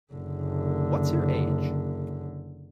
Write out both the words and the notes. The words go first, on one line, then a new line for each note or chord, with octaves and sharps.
What's your age?
F#1 D3